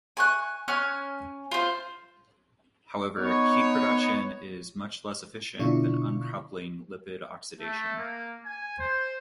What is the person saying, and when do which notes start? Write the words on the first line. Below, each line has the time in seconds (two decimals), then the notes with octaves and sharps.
However, heat production is much less efficient than uncoupling lipid oxidation.
0.17 G#5 C#6 F#6
0.68 C#4 G#5 F6 F#6
1.51 F4 C5
3.17 B3 D#4 C#5
5.59 B2 D3 D4 E4 F4 C#6
7.59 A3
7.96 A#3
8.44 G#5
8.78 C5